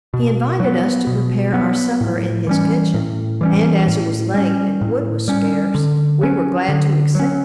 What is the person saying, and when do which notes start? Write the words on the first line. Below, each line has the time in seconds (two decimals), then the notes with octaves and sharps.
He invited us to prepare our supper in his kitchen, and as it was late and wood was scarce, we were glad to accept.
0.14 B2
0.60 F#3 B3
1.07 B2
1.54 F#3 B3
2.01 A2
2.47 E3 G3 C#4
2.94 A2
3.41 E3 G3 C#4
3.87 A2
4.34 G3 C#4
4.81 A2
5.28 G3 C#4
5.75 D3
6.21 F#3 C#4
6.69 D3
7.15 F#3 C#4